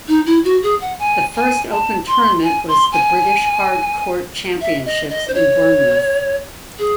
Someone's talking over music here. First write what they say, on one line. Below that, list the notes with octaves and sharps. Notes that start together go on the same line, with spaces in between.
The first open tournament was the British Hard Court Championships in Bournemouth.
D#4
E4
F#4
G#4
F#5
G#5
G#5
A5
C6
G#5
C6
G#5
E5
D#5
D#5
C5
C#5
G#4